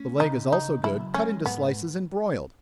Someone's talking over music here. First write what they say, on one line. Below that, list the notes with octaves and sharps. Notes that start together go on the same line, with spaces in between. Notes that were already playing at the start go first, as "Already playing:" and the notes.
The leg is also good, cut into slices and broiled.
Already playing: A3 C#4
C#3 D#4
C#3 D#4
F#3 E4
G#3 C#4
G#2 B3